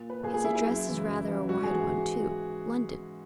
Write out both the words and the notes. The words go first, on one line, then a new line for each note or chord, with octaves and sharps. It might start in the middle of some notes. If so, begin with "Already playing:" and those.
'His address is rather a wide one, too--London!
Already playing: A#2
B4
A#2 G#4
G#4
E4
E4
F#2
C#3 E3
F#2
C#3 E3
G#2 F#4
G#4
E3